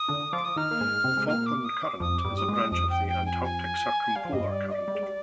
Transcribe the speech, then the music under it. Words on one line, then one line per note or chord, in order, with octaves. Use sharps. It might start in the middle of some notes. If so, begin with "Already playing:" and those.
The Falkland Current is a branch of the Antarctic Circumpolar Current.
Already playing: D#6
D3 D4
F3 F4 D6
D#6
D#3 D#4 F6
A#3
G#2 G#3
C3 C4
G#3
A#2 A#3 F6
D6
D#6
D6
F2 F3 D#6
D6
G2 G3
D#6
G3
G#2 G#3
D#6
G3
F2 F3 D#6
G5
G5
G#5
G#5
G3 F5
F3
G2 G3 D#5
D5
D#5
D5
G3
G#3
G3